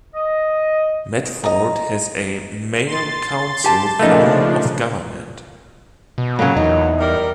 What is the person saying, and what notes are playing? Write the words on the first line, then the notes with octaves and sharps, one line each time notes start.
Medford has a mayor-council form of government.
D#5
D#5 A#5
C6 A6
G4 G#5 A5
C#3 F3 A3 A#3 D4 D#4
B2
A#2 C#3 F#3 A#3
E2 D#4
D#3 G3 A#4